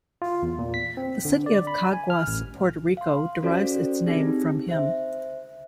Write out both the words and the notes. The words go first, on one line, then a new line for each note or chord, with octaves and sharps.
The city of Caguas, Puerto Rico derives its name from him.
F4
E2
A#2
B6
C4
D3
D5
B5
G#5
F6
A1
F5 C6
C#4 F#4 A4 C5 D5
C4 D#4 G4 G#4
C5 E5